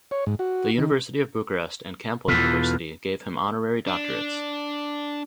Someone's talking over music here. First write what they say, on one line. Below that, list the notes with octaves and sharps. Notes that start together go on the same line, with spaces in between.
The University of Bucharest and Campbell University gave him honorary doctorates.
C#5
G#2
F#4
D#3
E2 B2 F4 A4 B4
D4